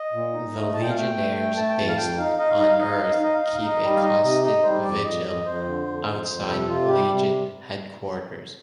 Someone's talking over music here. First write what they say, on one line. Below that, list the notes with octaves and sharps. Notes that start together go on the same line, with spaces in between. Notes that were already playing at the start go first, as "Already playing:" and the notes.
The Legionnaires based on Earth keep a constant vigil outside Legion headquarters.
Already playing: D#5
A#2
D#4
A3
A#2 A5
G5
F5
A3 G5
A3
A3
A3 A5
G5
F2 A5
F5
F2 G5
D#4 F5
D#4 D#5
F5
D#4 D#5
F5
D#4 D#5
F5
D#4 D#5
F5
D#4 D#5
F5
D#4 D#5
F5
D#4
D#5
G3
F5
D#4 D#5
C3 D#5
D#4 D#5
G3 C5
F2 D5
F2 D#5
F2 D#5
F2 C5
D3
F2
F2
F2
C3 A4
C3 F4
G3 G4
C3